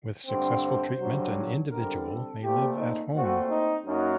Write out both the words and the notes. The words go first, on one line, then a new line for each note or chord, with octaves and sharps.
With successful treatment, an individual may live at home.
G2 D3 A3 C4
C5
G2 D3 F#3
D3 G3 C4 A#4
A4
A#2 A3 C4 G4
D#4
A#2 A3 C4 F#4
D#4
F#2 F#3 A#3 D#4